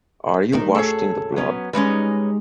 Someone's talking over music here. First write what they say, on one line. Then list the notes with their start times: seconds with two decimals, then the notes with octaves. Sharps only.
Are You Washed in the Blood?
0.52 D2 D#3 D#4
0.75 F#2 G#4 A4 C#5
1.36 F#3 B3 C#4
1.73 G3 G#3 C#4 D#4 B4